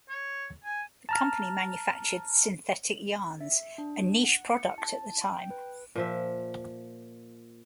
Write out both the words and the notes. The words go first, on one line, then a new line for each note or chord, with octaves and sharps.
The company manufactured synthetic yarns, a niche product at the time.
C#5
G#5
A5 A#5 F6
E5
D4
F#5
C#7
A5
G5
B4
A#2 F3 E5